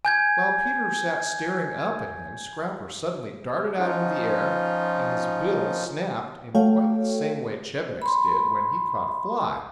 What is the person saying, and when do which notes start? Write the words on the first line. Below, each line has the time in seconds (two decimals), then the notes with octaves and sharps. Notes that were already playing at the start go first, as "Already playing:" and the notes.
While Peter sat staring up at him Scrapper suddenly darted out into the air, and his bill snapped in quite the same way Chebec's did when he caught a fly.
0.05 G#5 G6 G#6
3.79 F3 C#4 D#4 F4
6.55 A3 F#4 A4 C#5 F5 G5
8.02 B5 C6